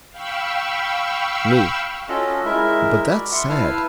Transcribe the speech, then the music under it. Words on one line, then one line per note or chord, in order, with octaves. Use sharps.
ME: But that's sad.
F5 G5 B5 C#6 E6
C#4 F4 F#4 A4 D#5
G#3 E4 A#4 E5
F#4 D5
E5 F#5 C6
E4 B4 F5 A5 E6 F6